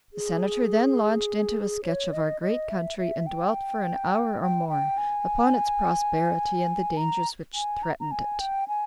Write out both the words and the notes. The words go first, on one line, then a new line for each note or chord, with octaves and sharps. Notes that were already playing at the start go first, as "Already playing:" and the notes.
The Senator then launched into a sketch of our great country, and dwelt for an hour or more upon its prosperity and the dangers which threatened it.
G#4
C#5
D#5
D#5
E5
E5
G5
G5
G5
G#5
A#5
G#5
A#5
A#5
G#5
G5
G#5